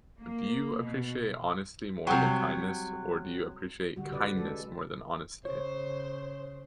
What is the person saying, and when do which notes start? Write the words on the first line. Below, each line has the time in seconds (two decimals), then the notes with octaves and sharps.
do you appreciate honesty more than kindness, or do you appreciate kindness more than honesty?
0.19 A#3
0.80 B2
2.07 C3 F#3 G3 F#5 G5 A#5 C#6
3.96 D3 G3 F#4
4.11 C#3 B4 D5
4.37 G#3 A4
5.45 C#3 C5 C#5